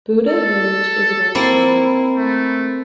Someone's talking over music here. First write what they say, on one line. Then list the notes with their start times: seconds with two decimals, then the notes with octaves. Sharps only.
Bhutta Village is an old town.
0.27 A4
1.35 A#3 C4 E4
2.16 A3